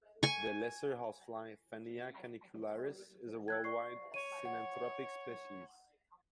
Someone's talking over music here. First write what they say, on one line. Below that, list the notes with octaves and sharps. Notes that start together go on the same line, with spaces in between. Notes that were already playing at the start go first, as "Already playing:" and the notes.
The lesser housefly "Fannia canicularis" is a worldwide synanthropic species.
G#5 C#6
E6 F#6 G#6
D5 C#6 C7
C#5 D#7
F#5